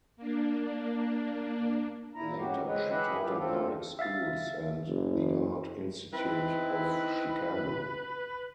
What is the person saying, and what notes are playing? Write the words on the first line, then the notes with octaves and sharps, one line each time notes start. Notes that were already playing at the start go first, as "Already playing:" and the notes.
Later, she taught in public schools and at the Art Institute of Chicago.
A#3 D4
A#2 E4 A#5
F2 G#2 C#3 F#4 G4
G#3 C4 B4 C#5 D#5
G4 G#4 B4 D#5 E5 F#5
G#2 E3 F#3 F4 G4
D2 G2 C4 F4 A4
E5 F5 A6
F#1
C4 D#4 E4 B4